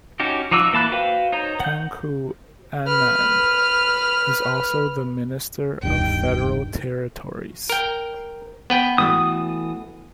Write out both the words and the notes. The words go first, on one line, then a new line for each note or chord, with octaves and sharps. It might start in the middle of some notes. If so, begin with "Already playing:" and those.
Tengku Adnan is also the Minister of Federal Territories.
C#4 D#4 F#4 G4
F3 D#4 F#4 D6 E6
E3 A#3 A5 B5 F#6
F#4 B4 C5 F5 G5
D#4 C5 C#5 A#5
F#5 G6
B4 F6
E1 D2 G2 D#3 G5
A#4 G5
B3 B4 G5
E3 A3 F#4 D#6